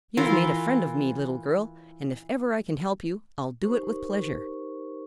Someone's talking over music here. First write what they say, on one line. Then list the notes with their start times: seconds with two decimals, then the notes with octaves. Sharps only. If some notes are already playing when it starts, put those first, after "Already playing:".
"You've made a friend of me, little girl, and if ever I can help you I'll do it with pleasure."
0.17 E3 F4 A#4
3.63 D#4 G4 A#4 C5 C#6